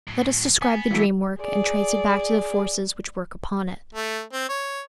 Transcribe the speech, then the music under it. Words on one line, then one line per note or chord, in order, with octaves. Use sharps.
Let us describe the dream work and trace it back to the forces which work upon it.
A2 F#3
B3 G#5
E3 F#3 A3
G#4 D5
A3
C4
C#5